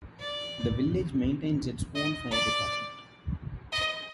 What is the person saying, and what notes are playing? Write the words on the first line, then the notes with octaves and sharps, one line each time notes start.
The village maintains its own fire department.
D5
D#5
D5
D#5